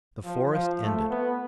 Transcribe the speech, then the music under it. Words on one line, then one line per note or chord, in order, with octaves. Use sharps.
The forest ended.
F3
F3
A3
B3